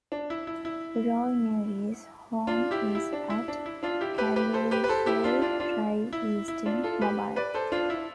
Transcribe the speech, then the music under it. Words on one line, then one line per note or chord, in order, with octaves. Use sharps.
Roy Neary's home is at Carlisle Drive East in Mobile.
D4
E4
E4
E4
D4 F4
E4 G4
E4
D4
E4
D4
E4
D4 F4
E4 G4
G4 B4
G4 B4
A4 C5
G4 B4
B4
A4 C5
E4 G4
D4 F4
D4 F4
D4 F4
E4
E4
D4 F4
F4 A4
G4 B4
B4 D5
A4 C5
D4 F4
E4